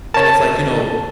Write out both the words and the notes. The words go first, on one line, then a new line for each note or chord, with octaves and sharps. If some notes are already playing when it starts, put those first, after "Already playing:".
And it's like, you know,
A#4 C#5 A5